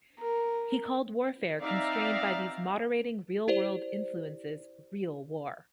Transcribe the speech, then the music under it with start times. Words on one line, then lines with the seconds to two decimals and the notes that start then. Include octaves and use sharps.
He called warfare constrained by these moderating real-world influences real war.
0.19 A#4
1.60 C4 D#4 D5 E5 F5 A#5
3.48 E4 G4 C5 D5